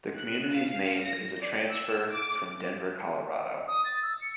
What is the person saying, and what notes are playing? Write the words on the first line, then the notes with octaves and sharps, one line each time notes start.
The community's name is a transfer from Denver, Colorado.
F#6
F5
A#6
D5
E6
D6
D#6
A6
E6
C#7